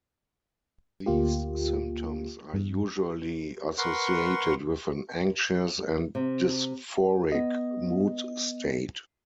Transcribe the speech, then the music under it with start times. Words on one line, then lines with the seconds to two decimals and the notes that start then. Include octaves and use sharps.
These symptoms are usually associated with an anxious and dysphoric mood state.
1.06 D2 A#3 F4 G4
2.54 G2
3.78 A#4 B4 F#5 C6 C#6
6.15 C3
7.32 B3 D#5